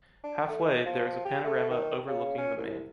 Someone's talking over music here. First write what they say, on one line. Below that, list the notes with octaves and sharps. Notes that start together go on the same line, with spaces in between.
Halfway, there is a panorama overlooking the Main.
D4
A3
D#4
F3
G4
A3
D#3
C#3
C#4
C2